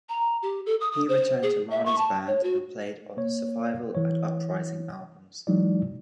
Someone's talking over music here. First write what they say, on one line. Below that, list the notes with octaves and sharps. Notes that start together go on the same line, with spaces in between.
He returned to Marley's band and played on the "Survival" and "Uprising" albums.
A#5
G4
A4
D#6
D#6
C5
G#4
E5
C#6
A5
C#5
F#4
A#3 C#5
E3 C#5
E3 F#3 G#3 D#4 E4 D5